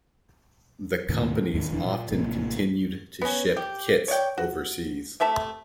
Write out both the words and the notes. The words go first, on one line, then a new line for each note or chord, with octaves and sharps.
The companies often continued to ship "kits" overseas.
D#2 A2 C3 D#3
D#2 G#2 D#3
D#1 F2 E3 D4
A#2
A1 C3 A#3
B3 C#4
G4
C#5 D5 F#5 G5
F#4
C3 A3 E5 A5